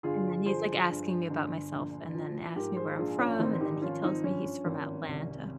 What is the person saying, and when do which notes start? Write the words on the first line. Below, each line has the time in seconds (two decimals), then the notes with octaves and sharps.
And then he's, like, asking me about myself and then asked me where I'm from, and then he tells me he's from Atlanta;
0.03 G1 F4 G#4
0.45 F3 G#4 C5
0.88 G2
1.30 G1
1.72 A#1
2.14 F3
2.56 G#2 G4 A#4
2.76 G#4 C5
2.98 A#1 F4 G#4
3.18 C#4 F4
3.39 G#1 C4 D#4
3.60 D#4 G4
3.82 F3 C#4 F4
4.02 C4 D#4
4.23 G2 C#4
4.65 G#1
5.08 C2